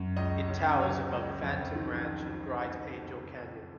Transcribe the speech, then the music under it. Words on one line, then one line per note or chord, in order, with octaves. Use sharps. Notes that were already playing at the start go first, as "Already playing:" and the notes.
It towers above Phantom Ranch in Bright Angel Canyon.
Already playing: F#2
C#2 D#5
C#3
F#3 C#5
C#2
F2
D#3